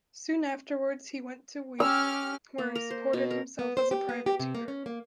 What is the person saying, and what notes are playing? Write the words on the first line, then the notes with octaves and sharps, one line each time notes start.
Soon afterwards he went to Weimar, where he supported himself as a private tutor.
C#4 G4 E6 F6
A#3
A#4
C5
B2
A#4
B3
C5
G4
B3
G4
C3
A#3
C#4
A#3